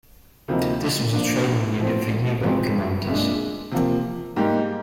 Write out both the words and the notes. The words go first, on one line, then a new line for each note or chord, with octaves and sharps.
This was a training unit for U-boat commanders.
D2 C3 F3 A#3 D#4
A#2 F3 A#3 D4
A#2 F3 C4
F2 C3 F3 G#3 C4
C2 A#2 G#3 D4
C3 F3 A#3
G#2 G3 A#3 D#4 G4